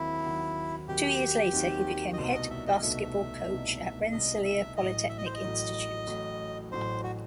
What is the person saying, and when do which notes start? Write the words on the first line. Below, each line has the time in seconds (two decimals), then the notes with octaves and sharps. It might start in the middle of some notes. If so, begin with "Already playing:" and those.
Two years later, he became head basketball coach at Rensselaer Polytechnic Institute.
Already playing: D#2 D#3 F#3 C4 E4 F#4
0.24 D#2 D#3 F#3 C4 F#4
0.88 D#2 D#3 F#3 C4 F#4 G4
1.53 D#2 D#3 F#3 C4 F#4
2.13 D#5
2.18 C2 B2 A3 D#4 A4 C5
2.34 D#5
2.50 E5
2.66 D#5
2.82 C2 B2 A3 D#4 A4 E5
3.48 C2 B2 A3 D#4 A4
4.12 C2 B2 A3 D#4 A4 D#5
4.44 E5
4.76 A1 A2 F#3 D#5
5.09 E5
5.18 D#5
5.26 C5
5.34 D#5
5.41 A1 A2 F#3
6.06 A1 A2 F#3
6.71 A1 A2 F#3 C5
7.04 F#4